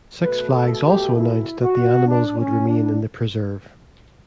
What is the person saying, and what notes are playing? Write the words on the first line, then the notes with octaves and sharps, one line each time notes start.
Six Flags also announced that the animals would remain in the preserve.
B2 A3 B4
A4
G4
E4
F#4
D4
C#4
D4